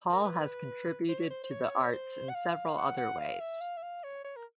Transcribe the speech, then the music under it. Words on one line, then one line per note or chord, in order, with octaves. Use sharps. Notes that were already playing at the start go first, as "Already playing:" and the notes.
Hall has contributed to the arts in several other ways.
A#4
B4
C5
C#5
C5
C5
C#5
C5
F#5
F5
F#5
F#5
F5
E5
F5
E5
F5
C#5
C#5
A#4